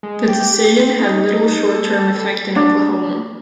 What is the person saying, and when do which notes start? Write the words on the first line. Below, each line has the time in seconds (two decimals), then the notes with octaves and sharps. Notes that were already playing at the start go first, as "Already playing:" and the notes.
The decision had little short-term effect in Oklahoma.
0.03 G#3
0.28 G4
0.79 C4
0.99 D#4
1.67 A4
2.56 D4